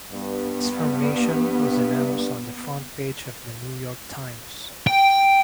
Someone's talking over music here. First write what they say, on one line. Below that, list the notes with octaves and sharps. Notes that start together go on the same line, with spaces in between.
Its formation was announced on the front page of "The New York Times".
G2 B3
G5